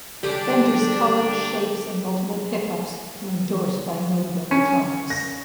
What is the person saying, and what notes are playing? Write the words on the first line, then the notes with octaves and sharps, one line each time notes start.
Fender's colors, shapes and multiple pickups were endorsed by notable guitarists.
D3 G3 D4 G4
C#4
A#6